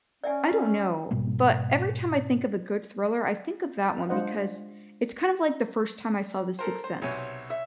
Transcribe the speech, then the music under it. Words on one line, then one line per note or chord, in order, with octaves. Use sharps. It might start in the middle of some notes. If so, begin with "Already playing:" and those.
I don't know, but every time I think of a good thriller, I think of that one because it's kind of like the first time I saw The Sixth Sense.
C#4 D5 E5 G#5
G#2 B2 G3 A#3
G#3 D4 F4 C5 D#5 F#5
A4 A#4 C5
C5
B1 C3 C#5 G#5
E5